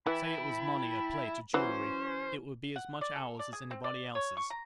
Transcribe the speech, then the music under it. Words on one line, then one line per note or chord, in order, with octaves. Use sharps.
Say it was money, or plate, or jewellery, it would be as much ours as anybody else's.'
E3 E4 G5 A5 B5
E3 F#3 C#4 C5
F#5
D5
A4
D5
G#4
C4
D5
C#5
C#6
A#5